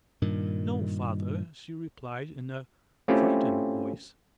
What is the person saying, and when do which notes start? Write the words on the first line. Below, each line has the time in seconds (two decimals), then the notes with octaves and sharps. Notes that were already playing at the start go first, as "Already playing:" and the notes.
"No, Father," she replied in a frightened voice.
0.22 G2 A#2 D#3
3.08 A3 C4 C#4 E4 F4 G4